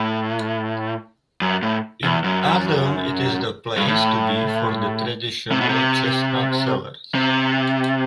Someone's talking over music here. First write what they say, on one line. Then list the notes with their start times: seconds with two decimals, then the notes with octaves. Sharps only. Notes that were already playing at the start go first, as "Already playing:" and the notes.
In autumn it is the place to be for the traditional chestnut sellers.
Already playing: A2
1.41 F#2
1.62 A2
2.04 E2
2.24 F#2
3.77 G2
3.88 A2
5.52 C3
5.61 B2
5.69 C3
7.15 C3